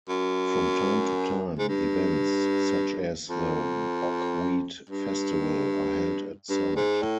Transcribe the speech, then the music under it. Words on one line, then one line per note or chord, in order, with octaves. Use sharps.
From time to time, events such as the Buckwheat Festival are held at site.
F#2
G#2
G2
F2
G2
G2
G#2
A2